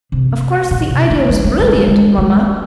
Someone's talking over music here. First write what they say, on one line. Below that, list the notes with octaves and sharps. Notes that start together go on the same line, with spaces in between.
Of course the idea was brilliant, mamma.
C3
A#2
C3
A#3
G#3
A#3
G#3
G3
G#3
A#3